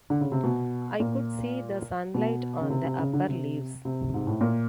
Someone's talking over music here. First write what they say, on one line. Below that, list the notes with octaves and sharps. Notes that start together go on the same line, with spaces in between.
I could see the sunlight on the upper leaves.
D3
C#3
C3
B2
A#2
B2
C#3
C3
C3
C#3
D3
C3
C3
G#2
A2
A#2